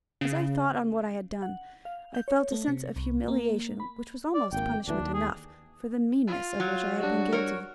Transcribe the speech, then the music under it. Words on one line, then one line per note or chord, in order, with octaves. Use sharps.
As I thought on what I had done, I felt a sense of humiliation which was almost punishment enough for the meanness of which I had been guilty.
C#3
F#5
F5
G6
C#5
A3
C3
C2
A#3
B5
D5
G#1 A#3 G5
D2 E3 D4
D#2
G#4
F4
F#3
G3 D4 F#4
A#4 C#5